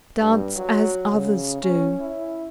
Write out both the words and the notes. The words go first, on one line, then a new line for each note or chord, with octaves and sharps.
Dance as others do.
G2
F#3
C#3
C#4
E4